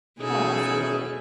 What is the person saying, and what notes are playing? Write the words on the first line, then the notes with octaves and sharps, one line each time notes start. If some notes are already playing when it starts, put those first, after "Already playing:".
Oh, absolutely,
B2 C#4 D#4 E4 G#4 A4